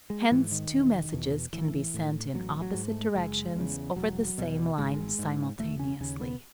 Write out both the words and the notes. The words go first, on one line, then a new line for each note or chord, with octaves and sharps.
Hence, two messages can be sent in opposite directions over the same line simultaneously.
G#3
G#2 E3
D#3
E1
E2 B2
A1 E3
A2
A1 F#3
F#3
G#2
A3
F#1 G#3
E2 C#3
E1 F#3
E2 B2
G#1 G#3
G#2
E1 A3
C#4
D#2 C#3 C#4
B3